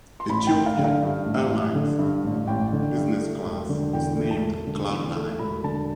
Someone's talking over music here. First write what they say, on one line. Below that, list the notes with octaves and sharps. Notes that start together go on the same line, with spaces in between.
Ethiopian Airlines' Business Class is named "Cloud Nine".
C6
A1 B5
G5
A1
F5
D3
F5
G2
A1
A1
D3
G2
A1
A1 G5
D3
G2
A3
E1
D3
E2 G5
A3
A5
E1
D3
E2
A3
E1 B5
D3 A5